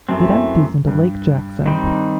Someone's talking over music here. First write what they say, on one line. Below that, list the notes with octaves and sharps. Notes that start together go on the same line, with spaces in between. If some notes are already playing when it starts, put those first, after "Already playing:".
It empties into Lake Jackson.
F#2 E3 A3 C4
G2
D#3 G3 C4 D#4